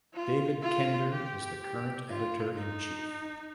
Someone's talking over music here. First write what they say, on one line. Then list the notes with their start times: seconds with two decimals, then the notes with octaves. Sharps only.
David Kender is the current Editor in Chief.
0.14 F4
0.62 F4
1.12 G4
1.60 G4
2.09 F4
2.56 D#4